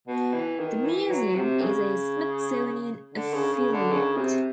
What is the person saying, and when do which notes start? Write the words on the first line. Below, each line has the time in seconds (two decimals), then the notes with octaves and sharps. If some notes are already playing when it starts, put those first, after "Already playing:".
The museum is a Smithsonian Affiliate.
0.08 B2
0.34 E3
0.60 D#3
0.85 E3
1.11 F#3
1.36 C3
1.61 C#3
3.14 D3
3.34 C#3
3.53 C#3
3.72 D3
3.92 C#3
4.17 C3